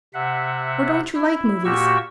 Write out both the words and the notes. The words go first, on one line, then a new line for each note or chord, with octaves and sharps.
Or don't you like movies?
C3 E5 F#5
E4
A#2 A#3 F#4 G4 C#6 E6